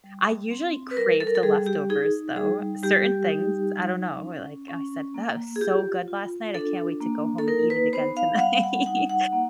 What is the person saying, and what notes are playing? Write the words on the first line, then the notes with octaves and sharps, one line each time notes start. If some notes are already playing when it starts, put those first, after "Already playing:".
I usually crave the leftovers, though, certain things, I don't know, where, like, I said, "That was so good last night, I can't wait to go home and eat it again tonight."
G3
C4
B4
G3 A#4
A4
A#4
A4
G3 G#4
G4
D#4 G#4
G3 G#4
G3 G4
D#4
F#3
C#4
C#4
A#3
G#4
F4 G4
F4
D4 A4
A#3
A4
D#4 A#4
B4
B3 C5
F5
F#5
G3 F5
F#5
D#4 F#5
F#5
A#3